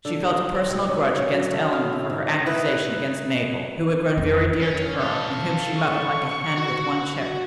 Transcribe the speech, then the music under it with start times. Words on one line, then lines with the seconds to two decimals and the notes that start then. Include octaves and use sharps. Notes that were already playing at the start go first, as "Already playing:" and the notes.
She felt a personal grudge against Eleanor for her accusation against Mabel, who had grown very dear to her and whom she mothered like a hen with one chicken.
0.05 D3
0.23 D#4
0.55 C4
0.70 B2
0.89 C#4
1.18 C#3
1.32 F#3
1.52 A3
1.73 F5
1.93 E4
2.10 G#2
2.46 D#4 E4 B4
4.17 F2
4.61 C#4
5.00 A4 F5
5.78 C#6
6.57 F#4